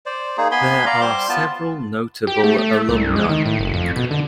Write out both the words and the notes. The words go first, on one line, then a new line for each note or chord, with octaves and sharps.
There are several notable alumni.
C5 D5
A#3 D#4 G#4
B3 G#5 B5 C6
D5 F5 A#5
G3 C5 C6 D6
B3 F4 A5
G4
A3
A3
C2
G#3
D#3
A2
F#1
F2
B2
D3